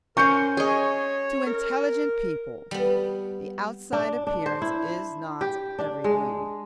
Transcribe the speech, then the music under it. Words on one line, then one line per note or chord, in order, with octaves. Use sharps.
"To intelligent people the outside appearance is not everything."
C#4 A#4 C5 C#6 G6 C#7
G#4 C#5 D#5
A#4
G3 B3
D4
D4
C5
E4
G4
D4
G#3